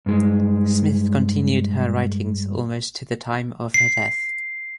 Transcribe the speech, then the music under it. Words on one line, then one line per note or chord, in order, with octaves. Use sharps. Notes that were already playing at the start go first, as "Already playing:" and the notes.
Smith continued her writings almost to the time of her death.
G2 G#3
C7